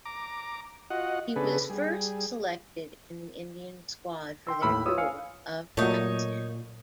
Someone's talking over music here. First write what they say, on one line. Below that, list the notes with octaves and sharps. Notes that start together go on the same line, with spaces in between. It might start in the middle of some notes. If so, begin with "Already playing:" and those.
He was first selected in the Indian squad for their tour of Pakistan.
A#5 D6
F4 F#4 D#5 F#5
C#3 B3 D4 G#4 A4 B4
G3 G#4
G5 C6 E6
D#2 A2 B5 E6 F6
F4 B4 C#5 D#6 E6
F5 G#5 E6 F6 C#7
A#2 F#3 A3 D#4 C#5